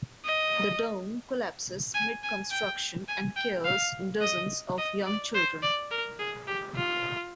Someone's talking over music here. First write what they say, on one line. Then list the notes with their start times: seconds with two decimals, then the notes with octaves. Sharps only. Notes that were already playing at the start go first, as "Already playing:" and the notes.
The dome collapses mid-construction and kills dozens of young children.
0.25 D#5
1.94 G#5
2.23 G#5
2.51 G5
3.08 G#5
3.36 G5
3.65 F5
4.21 D#5
4.78 D#5
5.06 D5
5.35 C5
5.63 D5
5.91 A#4
6.19 G#4
6.48 G4
6.76 F4